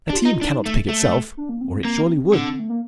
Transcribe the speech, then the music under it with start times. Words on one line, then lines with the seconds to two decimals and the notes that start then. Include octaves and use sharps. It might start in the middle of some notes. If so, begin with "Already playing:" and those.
A team cannot pick itself, or it surely would.
0.09 D4
0.12 G4
0.17 F4
0.25 D#4
0.41 D4 D#4
0.66 A3
0.89 A3
1.37 D4
1.49 A#3
1.61 C4
1.85 A#3
2.34 D3
2.59 A3
2.69 A#3